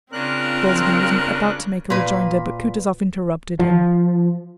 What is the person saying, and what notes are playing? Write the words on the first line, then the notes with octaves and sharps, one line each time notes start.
Wolzogen was about to make a rejoinder, but Kutuzov interrupted him.
C#3 C4 D4 F4 A#4 F#6
A#2 B4
F3